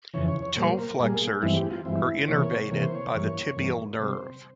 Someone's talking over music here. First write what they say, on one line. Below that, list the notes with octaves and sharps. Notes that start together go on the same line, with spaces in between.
Toe flexors are innervated by the tibial nerve.
F2 C#3 E3 C#5
C#5
C#5
A#2 G3 A#3 C5
A#4
A#2 G3 A#3 G#4
G2 E3 G#3 C4 E4
G4
F4
G2 E3 G#3 C4 E4
C3 E3 A#3 C#5
C3 E3 A#3 C#5
C5
C#5
G2 E3 A#3
G2 E3 A#3
C3 G3 C4 C5